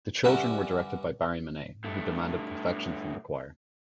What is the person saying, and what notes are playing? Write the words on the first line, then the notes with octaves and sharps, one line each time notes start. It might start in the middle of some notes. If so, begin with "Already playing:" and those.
The children were directed by Barry Mineah, who demanded perfection from the choir.
G2 D3 C#4 E4 F#4
G2 A3